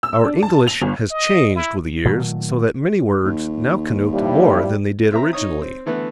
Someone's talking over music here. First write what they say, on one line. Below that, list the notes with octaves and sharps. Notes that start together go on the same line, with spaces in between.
Our English has changed with the years so that many words now connote more than they did originally.
E6
D4
A5
F7
G1
D#5
E4
A#2 D#3 F#3 A3
D#2
G2 F3 G3 E4
C4 E5 A#5
D#4 C#5 D#6
C4
D3 E3 A3 B3